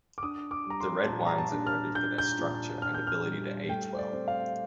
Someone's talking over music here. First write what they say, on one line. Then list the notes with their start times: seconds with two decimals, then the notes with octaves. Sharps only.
The red wines are noted for their structure and ability to age well.
0.18 D6
0.23 D4 D#6
0.51 D6
0.66 G3 A#5
0.80 C6
1.04 A5
1.08 A#2 A#5
1.27 A#5
1.38 A5
1.52 D4
1.67 F6
1.95 D4 G6
2.18 G6
2.39 A#2
2.82 D4 F6
2.94 G6
3.07 F6
3.25 G3
3.69 A3 G5
3.93 C5
3.98 D5
4.13 C4
4.28 F5